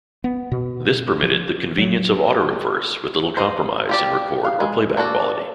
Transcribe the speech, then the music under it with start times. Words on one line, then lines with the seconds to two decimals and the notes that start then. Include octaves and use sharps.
This permitted the convenience of auto-reverse with little compromise in record or playback quality.
0.24 B3
0.52 B2
1.23 F3
1.78 F#3
3.37 C5 D#5
3.89 F4 G4 D5
4.45 F5
4.60 G#3
4.97 A#3 D4 F#4 A4